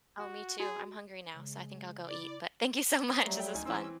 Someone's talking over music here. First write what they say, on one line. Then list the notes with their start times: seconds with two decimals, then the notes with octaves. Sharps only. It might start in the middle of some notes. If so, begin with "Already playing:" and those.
Oh, me too. I'm hungry now, so I think I'll go eat. But, thank you so much. This was fun.
0.19 F#4
0.60 F#4 G#4
1.34 C#3 G#3
2.08 E4 D5
3.11 C4 D#6 C7
3.25 F#3 G3 A3 A#5
3.40 G5
3.54 D1 D#4 G#5
3.65 E3 C4 C#4 C6 E6